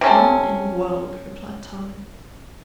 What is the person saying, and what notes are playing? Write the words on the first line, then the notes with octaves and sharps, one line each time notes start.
"None in the world," replied Tarling.
C3 C#4 A4